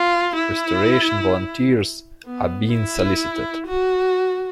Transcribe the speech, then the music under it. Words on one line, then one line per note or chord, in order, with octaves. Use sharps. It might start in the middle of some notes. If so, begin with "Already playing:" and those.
Restoration volunteers are being solicited.
Already playing: F4
E4
B3
E4
F#4